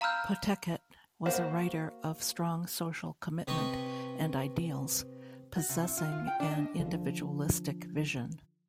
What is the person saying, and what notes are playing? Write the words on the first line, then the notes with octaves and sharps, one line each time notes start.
Pottekkatt was a writer of strong social commitment and ideals, possessing an individualistic vision.
F5 A#5 B5 E6 F6 G6
A#3 F#4 C5 F5 B5
C3 B4 D#5 B5 C#6
F#4
C3
E4
F4
F4
G5
D4
D#5
D3 F3